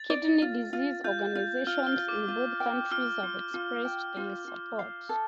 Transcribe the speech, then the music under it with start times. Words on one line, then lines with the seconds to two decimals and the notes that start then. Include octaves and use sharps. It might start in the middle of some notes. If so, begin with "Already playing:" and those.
Kidney disease organisations in both countries have expressed their support.
Already playing: A6
0.10 D5
0.42 F4
0.73 F4
1.04 F4 G6
1.35 F4
1.67 F4 F6
1.87 F6
1.97 F4
2.09 D6
2.28 F4
2.60 G5
2.91 F4 F6
3.23 F4
3.54 F4
3.85 G5
4.17 F4
4.48 F4
4.79 F5
5.09 A4